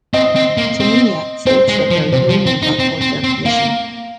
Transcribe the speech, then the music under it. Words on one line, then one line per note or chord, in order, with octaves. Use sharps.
Tumminia states that their union brought forth their "mission".
C4 D#5
C4
A#3
C4
C4 C5
G#3
C5
F3
C3 C5
F3
C4
D#4
C4
C4
C4
A#3 F5